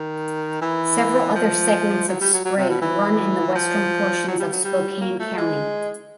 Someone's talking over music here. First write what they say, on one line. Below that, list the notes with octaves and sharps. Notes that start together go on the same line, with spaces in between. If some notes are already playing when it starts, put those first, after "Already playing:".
Several other segments of Sprague run in the western portions of Spokane County.
Already playing: D#3
E3
F3
F#3
G3
F#3
F#3
C3
B2
E3
F3
F#3
G3
F#3
G3
A#3
A3
G#3